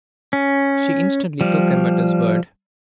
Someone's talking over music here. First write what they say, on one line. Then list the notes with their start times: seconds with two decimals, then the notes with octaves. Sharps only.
She instantly took him at his word.
0.33 C#4
1.41 F3 G3